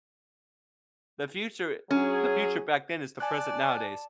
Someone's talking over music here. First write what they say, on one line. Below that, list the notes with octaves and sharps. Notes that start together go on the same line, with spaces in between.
The future it The future back then is the present nowadays.
F#3 C#4 G#4
D5 G#5 A5 F#6